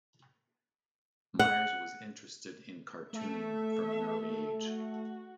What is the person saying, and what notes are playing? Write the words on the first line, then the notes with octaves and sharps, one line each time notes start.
Myers was interested in cartooning from an early age.
F#5
A3 A4 E5
F#4